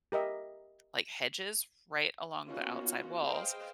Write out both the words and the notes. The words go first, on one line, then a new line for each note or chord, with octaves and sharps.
like, hedges right along the outside walls,
G4 A#4 D#5 E5
A#3 B3 C#4 D#4 F4 F#4
G#4 B4 C5 D#5 F5 G5